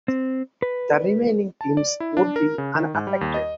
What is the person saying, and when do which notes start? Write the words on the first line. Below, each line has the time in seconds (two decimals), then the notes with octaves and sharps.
The remaining teams would be unaffected.
0.08 C4
0.62 B4
1.61 A5
1.77 D5
2.00 E4
2.17 D4
2.36 A#4
2.58 C#3
2.75 D#3
2.94 G#2
3.07 G3
3.21 D#2
3.34 D#5